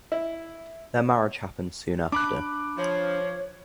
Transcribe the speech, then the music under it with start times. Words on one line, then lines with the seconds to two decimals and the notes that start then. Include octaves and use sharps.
Their marriage happens soon after.
0.12 E4
2.12 D4 B5 D6 F#6
2.78 F3 C#5